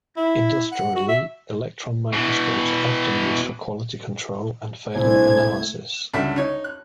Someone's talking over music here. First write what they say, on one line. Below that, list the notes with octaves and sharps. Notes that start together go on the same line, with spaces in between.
Industrially, electron microscopes are often used for quality control and failure analysis.
E4
F#5
F#4
E5
B2 E3
C2 A3 D4 E4 C5 G#5 G#6
C#2 G2 D3 F#4 E5
D#4 C#5
F#6